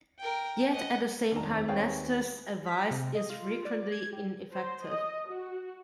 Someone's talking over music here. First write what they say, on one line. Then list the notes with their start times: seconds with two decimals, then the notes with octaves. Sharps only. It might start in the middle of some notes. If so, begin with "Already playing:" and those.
Yet at the same time Nestor's advice is frequently ineffective.
0.19 A#4 G5
0.72 D#5 F#5
1.31 F1 D#2 D#3 C4 D4 A#5
1.68 G#4 B4 C#5 F5 G5 G#5
2.66 B6
2.91 C3
3.15 D#5
3.30 F4
3.65 D5
3.92 G#6
4.13 G3
4.54 C5
4.87 D#5
5.30 F#4